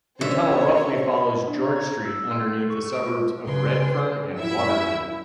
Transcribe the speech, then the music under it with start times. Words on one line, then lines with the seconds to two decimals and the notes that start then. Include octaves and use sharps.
The tunnel roughly follows George Street underneath the suburbs of Redfern and Waterloo.
0.21 D3 C4 C#4 C5 C#5 E5
1.47 D4
1.62 A#5
1.76 G#6
2.05 E6
2.31 C6
2.58 A4
2.70 C#6
2.93 D7
3.06 F4
3.48 C#3 B4 G5 G#5 C6
4.38 F#2 E4 E5 E6